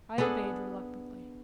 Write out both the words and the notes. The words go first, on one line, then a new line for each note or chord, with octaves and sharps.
I obeyed reluctantly.
B3 D4 G#4 A4